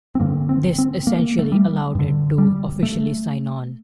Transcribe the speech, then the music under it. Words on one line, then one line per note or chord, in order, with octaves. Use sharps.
This essentially allowed it to officially sign-on.
C4
G2 D3 A#3
C4
C4
A#3
A3
G3
G2 D3
G3
A3